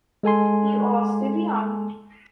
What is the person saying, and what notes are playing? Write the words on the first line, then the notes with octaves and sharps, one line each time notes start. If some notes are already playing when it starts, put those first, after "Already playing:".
You are still young.
G#3 A4 G#5 C6